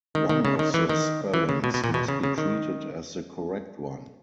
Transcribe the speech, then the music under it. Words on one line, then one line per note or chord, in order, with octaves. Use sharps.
One of the spellings must be treated as the correct one.
D#3
D#3
C#3
D#3
E3
D#3
E3
C#3
B2
B2
A#2
B2
C#3
C#3
D#3